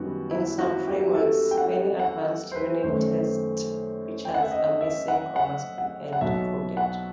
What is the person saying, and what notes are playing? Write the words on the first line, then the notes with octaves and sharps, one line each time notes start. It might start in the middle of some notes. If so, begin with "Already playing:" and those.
In some frameworks many advanced unit test features are missing or must be hand-coded.
Already playing: F#2 D#3 G3 B3 F#4
E4
F#4
G4
A4
G5
F#5
F#5
C5
B4
F#2 D#3 A3 C5
G5
F#5
E5
D#5
E5
F#5
F#5
F#5
F#5
B1 B2 F#3 E5
F#5